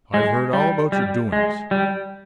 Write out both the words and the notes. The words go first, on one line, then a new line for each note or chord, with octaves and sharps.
I've heard all about your doings.
G#3
G3
G3
G#3
G3